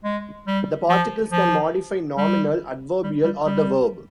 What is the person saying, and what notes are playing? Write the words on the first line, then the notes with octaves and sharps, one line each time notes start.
The particles can modify nominal, adverbial or the verb.
G#3
G3
F3
F3
G3
G3
G3
G3